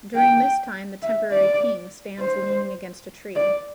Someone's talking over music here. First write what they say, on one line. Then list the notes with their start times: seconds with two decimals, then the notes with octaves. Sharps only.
During this time the temporary king stands leaning against a tree.
0.15 G5
1.02 E5
1.31 D5
2.19 C5
3.35 D5